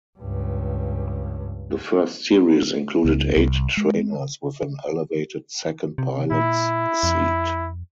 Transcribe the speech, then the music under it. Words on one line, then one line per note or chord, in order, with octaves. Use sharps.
The first series included eight trainers, with an elevated second pilot's seat.
C#2 G2
C#2
C2
G#3
C3
A#2 E4
F2